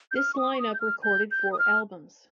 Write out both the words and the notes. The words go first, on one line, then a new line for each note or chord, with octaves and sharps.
This line up recorded four albums.
G6
F6
C#6
D#6
C#6
D#6
G6
F6
G6
G6
D#6
F6